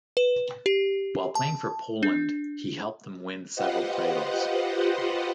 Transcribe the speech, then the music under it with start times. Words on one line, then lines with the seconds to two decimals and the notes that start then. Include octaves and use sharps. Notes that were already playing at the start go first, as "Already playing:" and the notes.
While playing for Poland, he helped them win several titles.
0.17 B4
0.66 G4
1.35 A5
2.03 D4
3.55 F4 G4 B4 C5 D#5 F#5